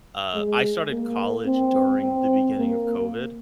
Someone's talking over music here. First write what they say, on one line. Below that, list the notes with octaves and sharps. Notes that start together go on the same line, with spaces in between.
Uh, I started college during the beginning of COVID,
G#3
A#3
C4
C4
A#3